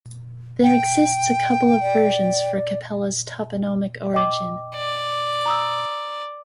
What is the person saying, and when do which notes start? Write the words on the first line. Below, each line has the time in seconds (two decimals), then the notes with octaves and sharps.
There exists a couple of versions for Capela's toponomic origin.
0.63 G5
1.82 D5
4.14 D#5 G5 D6
4.75 D5
5.46 A#5 D#6 E6